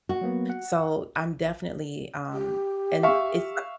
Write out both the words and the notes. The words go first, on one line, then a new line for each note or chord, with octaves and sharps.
So, I'm definitely, um and it's like
F#4
F#3 A#3 B3
F#5
G4
E5 F5 C#6